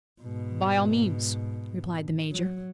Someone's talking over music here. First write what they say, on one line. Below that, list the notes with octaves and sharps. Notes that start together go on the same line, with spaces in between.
"By all means," replied the major.
G#2 B2
F#3